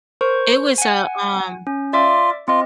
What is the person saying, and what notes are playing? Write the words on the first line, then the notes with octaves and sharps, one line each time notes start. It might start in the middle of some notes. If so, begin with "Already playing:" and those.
it was a, um
A#4 C5 C#6
F#5 G#5
C#4
F4 D5 E5 D6
C4 F4 D#5